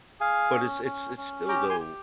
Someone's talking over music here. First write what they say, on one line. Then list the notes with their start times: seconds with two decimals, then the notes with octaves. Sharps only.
But it's it's it's still though,
0.20 G#4 F5 G#5
0.52 C#4
0.84 C#4
1.17 C#4
1.48 G4 G5 A#5
1.69 G#5 C6
1.80 G4